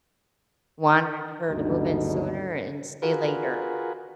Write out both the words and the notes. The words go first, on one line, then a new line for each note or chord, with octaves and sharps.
wanted her to move in sooner and stay later.
F#1 D2 G2 B2 D4 D#4
F4 F#4 G#4 A#4 B4